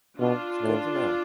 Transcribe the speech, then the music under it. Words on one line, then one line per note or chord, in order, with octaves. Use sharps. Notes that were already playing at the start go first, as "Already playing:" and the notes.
It's good to know.
B2 D4 F4
A2